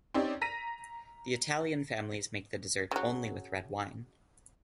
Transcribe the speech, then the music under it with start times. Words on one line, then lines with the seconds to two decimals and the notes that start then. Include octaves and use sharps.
The Italian families make the dessert only with red wine.
0.14 C4 C#4 D#4 G4 C#5 D5
0.41 A#5 A#6 B6 D#7
2.91 C#3 F#3